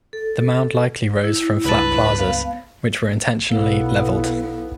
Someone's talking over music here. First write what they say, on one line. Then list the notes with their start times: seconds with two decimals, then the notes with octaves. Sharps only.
The mound likely rose from flat plazas which were intentionally leveled.
0.13 A4
1.23 E4
1.65 C#2 G2 B4 A5
2.18 B3 F5
3.49 B1 B3 E4 A4 F5